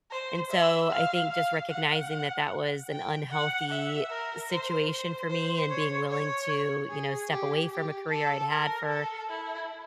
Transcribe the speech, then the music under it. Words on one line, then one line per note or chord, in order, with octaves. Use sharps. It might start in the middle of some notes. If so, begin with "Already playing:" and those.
And so, I think just recognizing that that was an unhealthy situation for me, and being willing to, you know, step away from a career I'd had for
C5
E5
F5
F5
F#5
G5
F#5
E5
A#4
C5
C5
C5
C#5
C#5
G#4
G4
G4
A4
A#4
A4
E4